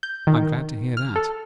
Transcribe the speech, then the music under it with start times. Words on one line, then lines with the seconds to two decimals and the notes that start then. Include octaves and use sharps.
I'm glad to hear that.
0.03 G6
0.27 D#3
0.97 F6
1.16 A4